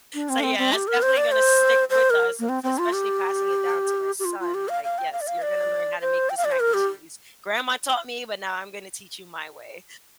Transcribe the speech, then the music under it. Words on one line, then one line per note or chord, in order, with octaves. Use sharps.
So, yeah, that's definitely gonna stick with us, and s especially passing it down to my son, like, "Yes, you're gonna learn how to make this mac and cheese. Grandma taught me, but now I'm gonna teach you my way."
D4
C4
D4
C4
C4
G4
A#4
C5
D5
C5
C5
A#4
A#3
C4
C4
F4
G4
G4
F4
F4
G4
F5
F5
G5
F5
D5
F5
D5
C5
G5
F5
D5
C5
A#4
G4